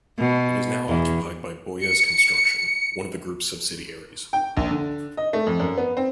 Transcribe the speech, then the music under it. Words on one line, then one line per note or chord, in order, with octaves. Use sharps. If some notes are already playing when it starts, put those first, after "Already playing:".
It is now occupied by Bouygues Construction, one of the group's subsidiaries.
B2
E2
C#7
G5
A#1
D3
D#5
A3
F2
F#2
B3
C4